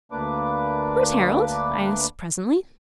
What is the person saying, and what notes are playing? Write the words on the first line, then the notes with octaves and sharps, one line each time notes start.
"Where's Harold;" I asked presently.
D2 A#3 D4 B4 D6